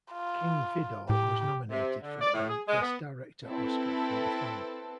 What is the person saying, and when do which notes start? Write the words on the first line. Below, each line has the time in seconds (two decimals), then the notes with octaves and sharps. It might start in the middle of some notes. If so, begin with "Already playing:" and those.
King Vidor was nominated for a Best Director Oscar for the film.
0.12 F4
1.10 A2 G4
1.70 C3
2.02 D3
2.21 D5
2.34 A2
2.49 G#4
2.67 G#3
2.81 B3
3.45 C4 E4 A4 B4